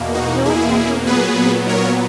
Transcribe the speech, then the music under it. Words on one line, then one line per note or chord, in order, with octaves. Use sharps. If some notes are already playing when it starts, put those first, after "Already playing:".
No attack on Lawrence was made.
Already playing: E2 B2 A#3
D#4 F#4
E4 G#4
A#2 F#3 B3 G#4 B4
A#4 C#5